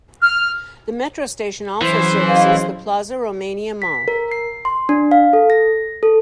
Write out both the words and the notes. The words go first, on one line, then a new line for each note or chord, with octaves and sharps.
The metro station also services the Plaza Romania mall.
F6
E3 F#3 C#4 G#4 C5
D#5 F5
B6
A#4
C7
C6
D4
F5
A4
A#6
A4